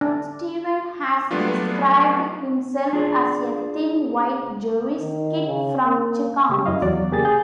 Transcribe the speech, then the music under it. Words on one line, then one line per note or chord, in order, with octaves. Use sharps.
Steven has described himself as a "thin, white Jewish kid from Chicago".
D4
F#3 G3 A3 B3 D4 F4
D4 F4 G#4 D5
D#3
C#3
A#3
C#3 G4
F#2 E4 D#5 F5
E2 F#3 F#4 D5
C#3 A#3 G4 G#4 A6
G#4 G6